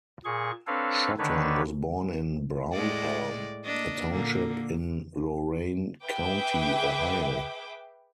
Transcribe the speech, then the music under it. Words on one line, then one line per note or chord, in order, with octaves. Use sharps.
Shotton was born in Brownhelm, a township in Lorain County, Ohio.
A#2 G#4 C#6
C4 D4 A4 B4 C#5 F5
D3 D#3 D4 B4 C#5
A2 G#3 D5
A#3 D4 D#5
A#2 D3 A#3
G#4 B4 E5 G5 D6